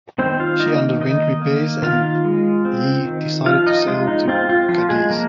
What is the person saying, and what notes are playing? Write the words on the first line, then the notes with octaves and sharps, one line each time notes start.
She underwent repairs there and he decided to sail to Cadiz.
D#3 C4 C5
F4 F5
A#3 D#4 D#5
D#3 D#4 D#5
A#3
D#3 F4 F5
G#3
C4
D#3
F3 F4 F5
D#4 D#5
G#3 F4
D#4
C4 F4
F4
F3 F4
G#3 G#4
F3 A#3 A#4